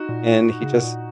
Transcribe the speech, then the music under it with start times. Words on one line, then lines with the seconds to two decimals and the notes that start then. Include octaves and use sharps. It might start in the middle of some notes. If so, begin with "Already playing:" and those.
and he just
Already playing: D#4 F#4
0.09 A#2
0.62 C#3
0.73 C3
0.83 A#2